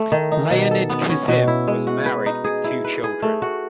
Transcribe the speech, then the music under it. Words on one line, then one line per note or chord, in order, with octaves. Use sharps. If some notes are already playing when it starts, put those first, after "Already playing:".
Leonid Kizim was married with two children.
Already playing: A3
D#3
D#4
B2
A4
B3
C#4
B2
E4
G#3
F#4
B4
D#4
G#4
E4
B4
G#4
A3
F#4